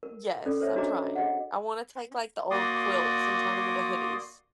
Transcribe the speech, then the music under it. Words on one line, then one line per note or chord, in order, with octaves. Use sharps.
Yes, I'm trying. I wanna take like the old quilts and turn 'em into hoodies.
A#4
C#4 A4 D5
A#4 C5 C#5 E5
D4 F#4 D#5 A#5 D6
G#4 D#5 F#5
A#3 F#4 D5 C6 D6 D#6